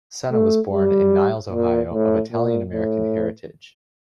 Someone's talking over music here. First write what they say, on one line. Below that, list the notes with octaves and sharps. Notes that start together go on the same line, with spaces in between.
Sena was born in Niles, Ohio of Italian-American heritage.
A3
G3
A#2
A2
A#2
A2